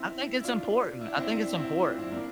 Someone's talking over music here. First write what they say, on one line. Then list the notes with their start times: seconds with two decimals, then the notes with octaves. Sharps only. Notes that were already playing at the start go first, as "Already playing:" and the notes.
I think it's important, I think it's important.
Already playing: C4 E4
0.41 E4
0.44 D4 F4
1.01 E4
1.08 D4
1.16 C4 E4
1.56 C4 E4
1.84 D4 F4
1.98 C4 E4
2.12 A#3 D4